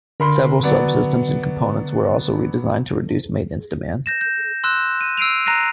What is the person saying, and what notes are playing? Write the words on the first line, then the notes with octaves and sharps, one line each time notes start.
Several subsystems and components were also redesigned to reduce maintenance demands.
D3 A#4 B5 C6
F#3 B3 D5
G6 A#6 E7
G6
C6 E6 F#6 E7
D#7
E6 C7 D7 D#7 F7
A#5 F#6 A#6 C7 D#7